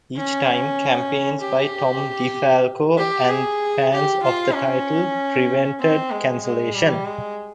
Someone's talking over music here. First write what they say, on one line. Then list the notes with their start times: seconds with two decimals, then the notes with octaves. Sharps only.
Each time, campaigns by Tom DeFalco and fans of the title prevented cancellation.
0.17 C#4
1.42 G4
2.98 G4
3.30 G#4
3.92 G4
4.23 F4
4.54 C#4
5.80 C4
6.11 G#3
6.43 G#3
6.74 G3
7.05 G#3